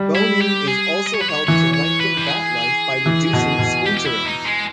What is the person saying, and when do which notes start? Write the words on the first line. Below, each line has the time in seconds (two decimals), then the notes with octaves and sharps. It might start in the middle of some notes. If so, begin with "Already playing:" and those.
Boning is also held to lengthen bat life by reducing splintering.
Already playing: G3
0.15 E4
0.42 G4
0.68 G#4
1.07 D#5
1.14 C#5
1.21 B4
1.29 C#5
1.47 E3 C#5
1.74 C#5
2.00 B4
2.17 G4
2.27 G#4
3.06 E3
3.33 B2
3.59 B2
3.86 G4
3.97 G4
4.06 E4
4.25 D#4
4.45 G#3